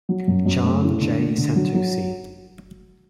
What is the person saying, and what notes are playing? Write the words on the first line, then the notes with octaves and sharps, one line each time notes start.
John J. Santucci.
F#3
F#2
F#2
A3
E4
D3
A3
D3
F#3
F#3